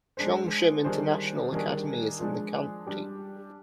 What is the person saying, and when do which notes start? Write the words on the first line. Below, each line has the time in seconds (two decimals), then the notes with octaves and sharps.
Cheongshim International Academy is in the county.
0.17 G#3 D4 G#4 C5
0.84 D#3 G3 D4 G#4 C5
1.52 D#3 G3 A#3 D4 G#4
2.19 F3 G#3 D4 G#4
2.87 G3 D4 G4